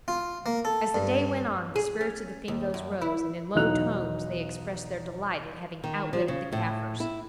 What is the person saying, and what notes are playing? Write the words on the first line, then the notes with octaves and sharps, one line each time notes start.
As the day went on the spirits of the Fingoes rose, and in low tones they expressed their delight at having outwitted the Kaffirs.
F4
A#3
A4
G2
G#4
C#4
D#2
F#2
E4
B1 E2 F#3 D#4 F#6 F7
D#3
F3
C#3
A2
E4